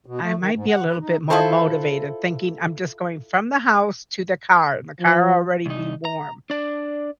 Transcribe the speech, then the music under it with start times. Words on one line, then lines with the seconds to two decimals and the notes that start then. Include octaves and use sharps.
I might be a little bit more motivated thinking I'm just going from the house to the car and the car already be warm.
0.06 B2
0.21 A3
0.39 D#3
0.54 G#2
0.68 F#5
0.86 B4
1.00 D#4
1.30 E4 F4 A4 C5
5.00 F3
5.66 C2 D#4
6.05 A#5
6.50 D4 D5